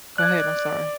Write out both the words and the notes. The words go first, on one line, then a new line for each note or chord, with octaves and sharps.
go ahead, I'm sorry.
D5 F#6 G#6